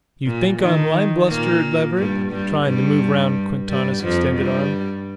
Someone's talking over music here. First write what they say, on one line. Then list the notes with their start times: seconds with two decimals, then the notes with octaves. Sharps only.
"You think I'm lyin'?" blustered Leverett, trying to move around Quintana's extended arm.
0.26 A#2
0.60 D#3
1.28 A#2 A#3
1.97 G2 G3
2.31 G2 G3
2.65 G2 G3
3.69 G2 G3
4.02 F2 F3
4.37 G2 G3